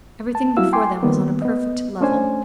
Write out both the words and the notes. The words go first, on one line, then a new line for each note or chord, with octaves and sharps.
Everything before them was on a perfect level.
A5
F#3 G3 E4 F#4 F5 E6
G5 G#5 C6 D6
D#3 G3 A#3 B3
B3 D#5
A3 C#4 D4 C5 G#5